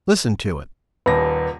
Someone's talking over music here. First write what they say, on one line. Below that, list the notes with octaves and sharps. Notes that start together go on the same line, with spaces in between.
Listen to it!
D#1 D#2 B4 A#6